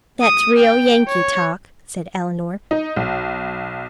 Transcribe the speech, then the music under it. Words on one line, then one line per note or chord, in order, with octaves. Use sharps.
"That's real Yankee talk," said Elinor.
D#6
G5
C#5
D#4
B1